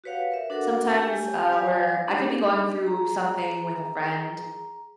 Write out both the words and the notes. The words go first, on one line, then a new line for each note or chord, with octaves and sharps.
sometimes, uh, we're I could be going through something with a friend,
F#4 G4 B4 C#5 F5 F#5
A#4 B4 E5
D4 F#4 A4 A#4 F#5 D6
G4 G5 G#5
F#3 D5 F5 G#5
D4 D#4 G4 G#4
G#4 A#5